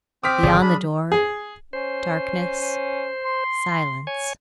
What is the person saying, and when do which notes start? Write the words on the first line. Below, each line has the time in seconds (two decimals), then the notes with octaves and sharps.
Beyond the door ... darkness ... silence...
0.24 C4 C5 D6 D#6 F6 B6
0.43 G#1 D3 E3 G#4 D5 D#6
0.61 F#3 D4 B5
1.12 G#4
1.73 C#4 C5
2.61 C#4
3.25 C6
4.07 C#5 G#5